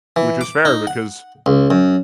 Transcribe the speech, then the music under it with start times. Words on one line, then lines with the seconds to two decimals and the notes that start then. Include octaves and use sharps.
Which is fair, because
0.16 E3
0.41 D6
0.65 D#4
0.87 F#5
1.46 C#2
1.71 F#2